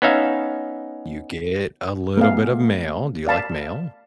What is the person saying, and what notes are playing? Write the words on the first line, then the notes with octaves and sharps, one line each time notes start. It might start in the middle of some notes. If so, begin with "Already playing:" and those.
You get a little bit of mayo. Do you like mayo?
B3 C#4 D#4 E5 F5
A3 B3 G#4 F5
D5 F5 A5 B5